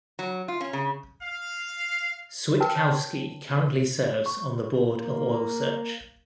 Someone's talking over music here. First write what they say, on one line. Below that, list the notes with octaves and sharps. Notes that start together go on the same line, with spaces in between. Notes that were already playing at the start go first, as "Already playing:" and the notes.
Switkowski currently serves on the Board of Oilsearch.
F#3
F4
C#4
C#3
F5
A#4 B4 G5 A5
C#5 A5
C#6
A#3